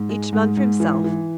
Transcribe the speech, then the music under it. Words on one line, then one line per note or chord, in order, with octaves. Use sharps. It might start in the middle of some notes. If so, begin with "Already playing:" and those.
Each man for himself.
Already playing: G#2
G#3
G#2
G#2
E3
E3